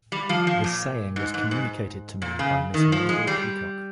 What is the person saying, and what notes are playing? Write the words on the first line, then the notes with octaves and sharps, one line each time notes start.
This saying was communicated to me by Miss Mabel Peacock.
G3
F3
F3
A#2
G#2
G#2
G#2
A#2
C#3
D#3
F3
G#3
G3